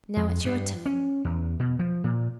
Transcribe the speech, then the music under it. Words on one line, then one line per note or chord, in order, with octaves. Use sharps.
Now it's your turn.
F2
G2
C#4
E2
B2
F3
A#2